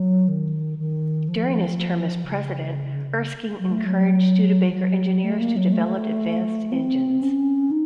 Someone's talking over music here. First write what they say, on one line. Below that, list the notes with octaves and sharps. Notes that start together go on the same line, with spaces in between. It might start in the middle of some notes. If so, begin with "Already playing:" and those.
During his term as president, Erskine encouraged Studebaker engineers to develop advanced engines.
Already playing: F#3
D#3
D#3
F3
C#3
F#3
A3
F#3
F3
F#3
A3
A#3
F#3
A3
C4
C#4
D#4